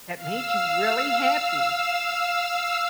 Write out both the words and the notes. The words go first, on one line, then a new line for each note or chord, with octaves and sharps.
that made you really happy?
F5 E6